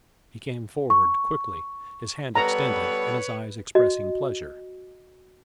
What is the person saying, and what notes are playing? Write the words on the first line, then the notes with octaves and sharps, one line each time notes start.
He came forward quickly, his hand extended, and his eyes expressing pleasure.
C#6
G3 B3 A4 B4 C#5 A#5
F#4 D#5